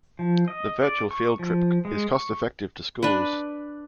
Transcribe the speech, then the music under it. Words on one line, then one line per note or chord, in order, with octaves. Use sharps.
The virtual field trip is cost effective to schools.
F3
D#5
D5
C#6
F3
G#3
C#6
D4 B4